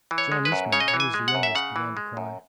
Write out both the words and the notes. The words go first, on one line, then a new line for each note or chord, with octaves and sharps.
John Eastman, who was the youngest, began to cry.
E3
C#5
G#3
B4
F#2
C#3 C#5
D#5
C#5
E3
G#5
G#3
F#5
F#2
E5
C#3 F#5
E3
G#3
F#2